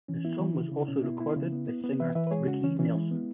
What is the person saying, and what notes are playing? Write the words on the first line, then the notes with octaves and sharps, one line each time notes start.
The song was also recorded by singer Ricky Nelson.
E3 C#4
B3 E4
E3
C#3
C#3
B2 C#4
B3 E4
B3 E4
C#3
B3
B3
B3
E3 B4 E5
E3 B4 E5
B4
G#3 G#4 C#5
C#3 C#4 F#4
E3 C#4
E3 C#4
G#3 E4
B3